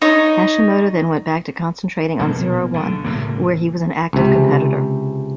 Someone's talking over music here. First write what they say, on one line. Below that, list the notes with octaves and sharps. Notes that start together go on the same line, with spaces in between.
Hashimoto then went back to concentrating on Zero-One, where he was an active competitor.
D#4 C#5
A#1 B2 A#3
B1 D3
C#2 A2 C3 A#3
C#2 C3